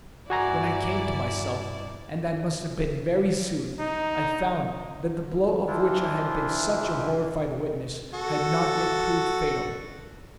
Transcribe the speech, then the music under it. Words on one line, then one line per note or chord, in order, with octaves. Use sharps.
When I came to myself, and that must have been very soon, I found that the blow of which I had been such a horrified witness had not yet proved fatal.
G2 E4 F#4 D5 G#5 A#5
D#4
E3 F3 D4 E4 F4
F#4 A4